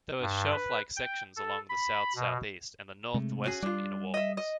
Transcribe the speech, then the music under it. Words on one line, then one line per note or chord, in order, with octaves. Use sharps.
There are shelf-like sections along the south-southeast and the northwestern inner walls.
G2
B4
G5
A4
B5
B2
C3 G#3 A3
C#4 F#4 G#4
G3 D4 F4
D#5 E5
D#5